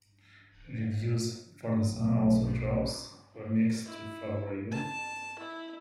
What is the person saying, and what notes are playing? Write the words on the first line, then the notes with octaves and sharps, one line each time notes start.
Reviews for "The Son Also Draws" were mixed to favorable.
B1
E4
A5
E4